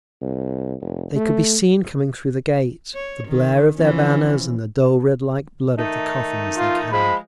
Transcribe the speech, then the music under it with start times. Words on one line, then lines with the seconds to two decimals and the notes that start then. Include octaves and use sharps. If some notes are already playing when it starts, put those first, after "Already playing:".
They could be seen coming through the Gate, the blare of their banners, and the dull red--like blood--of the coffins they carried.
0.22 C2
0.81 F1
1.15 A3
2.94 C#5
3.27 D#3
3.77 E3 F3 C#4
5.77 D#3 A3 D#4
6.58 F4
6.92 F3 G#3 B5